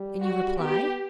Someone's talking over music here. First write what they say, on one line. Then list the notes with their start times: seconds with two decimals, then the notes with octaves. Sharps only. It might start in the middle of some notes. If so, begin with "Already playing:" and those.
"And you reply?"
Already playing: G3
0.22 F#4
0.60 B3 G4